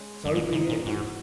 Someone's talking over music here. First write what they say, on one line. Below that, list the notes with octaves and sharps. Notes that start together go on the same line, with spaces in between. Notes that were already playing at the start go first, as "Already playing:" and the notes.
"So be it."
Already playing: G#3 C#4
F#2
G#2 A#3 D#4
C#3
A#3 D#4
A#2
G#2 C#4 F#4